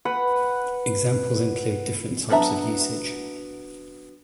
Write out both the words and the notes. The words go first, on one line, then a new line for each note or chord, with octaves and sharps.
Examples include different types of usage.
B4 F#5 B5
F#3 B3 D4 E5 A#5